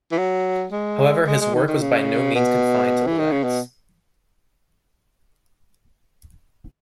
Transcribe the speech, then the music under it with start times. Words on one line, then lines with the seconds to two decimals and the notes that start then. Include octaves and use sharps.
However, his work was by no means confined to lilacs.
0.12 E3
0.18 F#3
0.72 G#3
1.27 G#3
1.41 G#3
1.54 D#3
1.68 D#3
1.81 C#3
2.35 B2
3.07 E3
3.19 D#3
3.32 C#3
3.43 B2